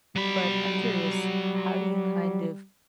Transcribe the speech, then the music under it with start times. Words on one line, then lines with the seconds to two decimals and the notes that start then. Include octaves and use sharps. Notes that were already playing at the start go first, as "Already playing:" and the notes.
but I'm curious, how do you kind of
0.16 F#3 G3 B5